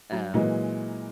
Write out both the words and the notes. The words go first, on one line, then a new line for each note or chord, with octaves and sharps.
t um,
F#3
A#2 E3 F#3 G#3